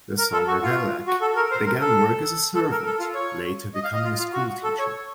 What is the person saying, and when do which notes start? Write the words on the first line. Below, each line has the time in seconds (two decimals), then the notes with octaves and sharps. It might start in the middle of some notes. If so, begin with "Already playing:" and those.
The son Ravaillac began work as a servant, later becoming a school teacher.
0.18 A#4
0.33 A4
0.48 F#4
0.62 F4
1.07 F#4
1.21 A4
1.36 A#4
1.51 C5
1.66 A#4
1.81 A4
2.55 A4
2.71 A#4
2.86 A4
3.00 F4
3.14 C#5
3.75 D#5
3.84 F5
3.94 D#5
4.04 F4
4.19 F4
4.33 F#4
4.64 A4
4.79 C#5